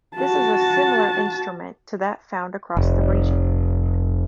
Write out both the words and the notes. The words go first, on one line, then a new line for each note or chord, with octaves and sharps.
This is a similar instrument to that found across the region.
F#4 A5
F1